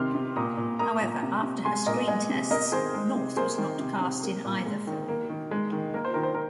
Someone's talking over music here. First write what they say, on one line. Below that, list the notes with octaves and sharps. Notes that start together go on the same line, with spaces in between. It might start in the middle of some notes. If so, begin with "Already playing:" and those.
However, after her screen tests, North was not cast in either film.
Already playing: C3 D#3 C6 F6
C3
A#2 A#5 D#6
A#2
A#3 A#5 D#6
A#2
C3
C3
G#3 G#5 C6
A#2 A#4 D#5
G#3 D#5 G#5
C3
A#3 A#4 D#5
D#3 G#4 C5
G#3
C3
A#3 G#4 C5
D#3
C3
C3
A#3
A#2
G#3
D#3
A#3
D#3
G#3
D#3
A#3 A#4
C5
D#3 A#4
C5
A#4